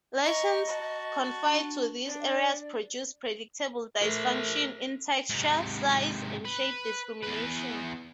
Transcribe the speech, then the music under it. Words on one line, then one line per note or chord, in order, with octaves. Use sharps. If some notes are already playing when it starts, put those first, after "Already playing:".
Lesions confined to these areas produce predictable dysfunction in texture, size, and shape discrimination.
D#5 A#5 C#6
F#4 A5
D4
D4 D5
A3 A#4 C5
G#2 C3
B4
E2 B4